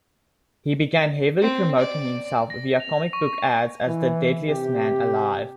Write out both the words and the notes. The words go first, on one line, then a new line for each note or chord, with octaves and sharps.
He began heavily promoting himself via comic book ads as the "Deadliest Man Alive".
C4
D5
A#6
F7
C#6
E3
C3 G4